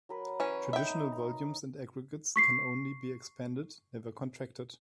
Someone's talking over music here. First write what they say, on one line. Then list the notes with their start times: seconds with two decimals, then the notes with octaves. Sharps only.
Traditional volumes and aggregates can only be expanded, never contracted.
0.09 F#3 A#4 B4
0.40 E3 C#4
0.73 D#4 E5 G5
1.12 A#5
2.36 C#6 B6 C7